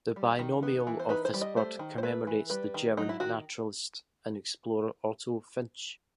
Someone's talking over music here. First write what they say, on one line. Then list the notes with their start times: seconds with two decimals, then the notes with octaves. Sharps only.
The binomial of this bird commemorates the German naturalist and explorer Otto Finsch.
0.16 G3
0.39 D#3
0.63 B3
0.87 E3
0.99 C5
1.09 D#4 B4
1.25 C5
1.34 G3
1.41 D#5
1.56 A3 C5
1.79 D#3
1.98 C5
2.03 A3 B4
2.27 E3
2.50 G3 B4
2.74 D#3
2.97 F#3 D#4
3.09 E4
3.20 D#3 F#4